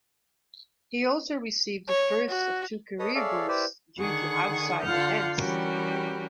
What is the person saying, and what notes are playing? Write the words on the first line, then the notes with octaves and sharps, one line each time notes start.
He also received the first of two career boosts due to outside events.
C#5
F#4
A4 B4 C#5 D#5 D#6
G#4 A4 C#5 D5 E5 F5
E4 G4 B4 C5 D5
D3 D#3 G#4 F#5 C#6
D3 F4 F#5 F6 G6
E3 G3 C#4 F#4 G4 A#4